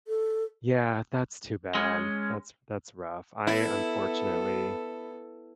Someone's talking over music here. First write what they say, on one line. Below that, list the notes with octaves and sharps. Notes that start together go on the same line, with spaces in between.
Yeah, that's too bad. That's that's rough. I unfortunately
A4
G#3 C#4
B3 E4 A4